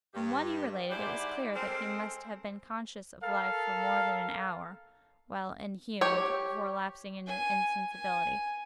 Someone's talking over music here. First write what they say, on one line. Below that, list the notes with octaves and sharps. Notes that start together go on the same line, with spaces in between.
From what he related, it was clear that he must have been conscious of life for more than an hour, while inhumed, before lapsing into insensibility.
G2 G4
G#2 E4 G4 C5 D5 F#5
G#3 C4 A4 A#4 C5
A4 A#4 F5
G4 C#5
G#5
G#5